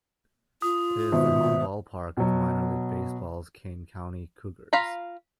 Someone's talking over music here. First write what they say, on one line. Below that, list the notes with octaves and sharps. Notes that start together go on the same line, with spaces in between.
It is the home ballpark of Minor League Baseball's Kane County Cougars.
F4 D#6
G#1 B2 E5
B2 F#3
F4 F5 A#5 B5